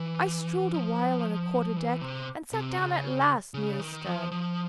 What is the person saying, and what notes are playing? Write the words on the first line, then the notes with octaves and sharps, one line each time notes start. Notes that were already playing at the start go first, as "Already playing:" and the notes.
I strolled a while on the quarter-deck, and sat down at last near the stern.
Already playing: E3
F3
E3
C3
C3
C#3
C#3
D#3
F3
F3